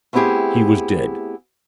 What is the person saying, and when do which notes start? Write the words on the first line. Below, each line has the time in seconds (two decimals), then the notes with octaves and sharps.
He was dead!
0.13 A3 B3 C4 E4 G4 G#4